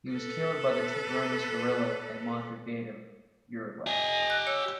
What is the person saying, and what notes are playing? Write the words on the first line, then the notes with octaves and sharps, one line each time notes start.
He was killed by the Tupamaros guerilla in Montevideo, Uruguay.
A4 B4
G4 D#5 G#5
F#6
C#5 E6